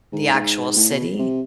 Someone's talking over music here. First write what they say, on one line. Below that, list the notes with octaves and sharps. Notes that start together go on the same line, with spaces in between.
the actual city
G#2
G#2
A2
B2
C3